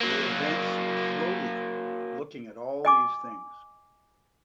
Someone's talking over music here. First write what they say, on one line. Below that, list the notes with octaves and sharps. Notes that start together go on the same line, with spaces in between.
They advance slowly, looking at all these things.
F#3 A#3
D#5 G#5 D6